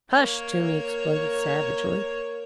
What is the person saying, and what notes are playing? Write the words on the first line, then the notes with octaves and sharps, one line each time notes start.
"Hush!" Toomey exploded savagely.
A#3 C#5